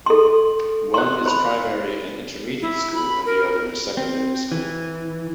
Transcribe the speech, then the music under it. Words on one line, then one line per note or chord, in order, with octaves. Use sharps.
One is Primary and Intermediate school and the other is Secondary School.
A4 C6
C5 C6
C5 B5
E4
B5
A#4
C4
E3